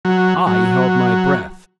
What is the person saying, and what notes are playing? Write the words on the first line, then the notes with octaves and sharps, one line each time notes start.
I held my breath....
F#3
F#3